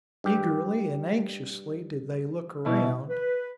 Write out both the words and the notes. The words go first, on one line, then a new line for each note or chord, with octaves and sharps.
Eagerly and anxiously did they look around.
G2 G4
B2 E4
B4